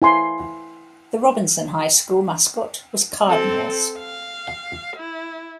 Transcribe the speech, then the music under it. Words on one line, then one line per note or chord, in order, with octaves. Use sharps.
The Robinson High School mascot was Cardinals.
E4 G#5 C6
C4 A4
F5
E4